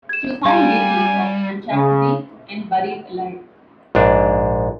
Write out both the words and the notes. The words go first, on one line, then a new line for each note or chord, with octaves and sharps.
She was found guilty of unchastity and buried alive.
G#6 E7
G3 F5 G#5
C#3
A#1 G#2 D4